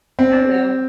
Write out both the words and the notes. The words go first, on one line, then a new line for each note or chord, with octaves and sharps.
I don't know.
C4